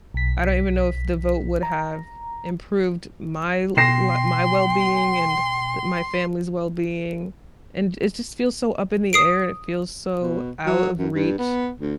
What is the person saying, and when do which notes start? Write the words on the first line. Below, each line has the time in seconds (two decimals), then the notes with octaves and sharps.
I don't even know if the vote would have improved my l my wellbeing and the my family's wellbeing. And it just feels so up in the air, it feels so out of reach,
0.14 B1 B6
1.63 A#5
3.77 B2 G5 C6 A#6 C7 E7
9.13 D#6 C7 D7
10.22 B2
10.66 F#3
10.99 F#2
11.15 G2
11.39 B3
11.80 D2